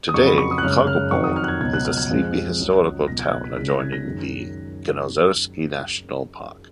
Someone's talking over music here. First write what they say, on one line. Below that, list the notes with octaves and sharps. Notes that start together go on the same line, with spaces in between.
Today, Kargopol is a sleepy historical town adjoining the Kenozersky National Park.
D#6
F2 C#3 F#3 C#6
B5
C#6
D#6
F#6
F#2 C#3 G#3 F6
F6
F2 D#3 F#3 C#6
D#6
F6
F#6
G#6
C#2 B2 F#3 G#6
F#6
F6
G#6
F2 F3 G#3
C#2 C#3 F#3
C#2 B2 F#3 A#6
G#6
F#6
B6
C#2 C#3 G#3 B6
A#6
G#6
A#6
F#2 D#3 G#3